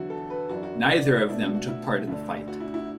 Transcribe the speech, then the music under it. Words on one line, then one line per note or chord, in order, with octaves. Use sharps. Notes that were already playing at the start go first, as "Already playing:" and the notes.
Neither of them took part in the fight.
Already playing: E2 D3 F#3 E4 F#4
A4
B4
F#2 E3 D4 F#4
F#4
D5
B2 A3 D4 E4
F#4
F#4
E4
D2 D3 A3 D4
F#4
E4
E4